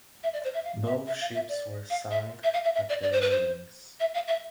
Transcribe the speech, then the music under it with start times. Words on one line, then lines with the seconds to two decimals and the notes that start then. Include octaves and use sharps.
Both ships were sunk at their moorings.
0.23 E5
0.33 D5
0.44 C5
0.54 E5
0.64 F5
0.86 E5
1.07 E5
1.21 F5
1.34 E5
1.49 D5
1.90 F5
2.11 E5
2.44 E5
2.53 F5
2.64 E5
2.75 E5
2.89 D5
3.03 D5
3.12 C5
3.21 B4
3.31 C5
4.00 E5
4.14 F5
4.28 E5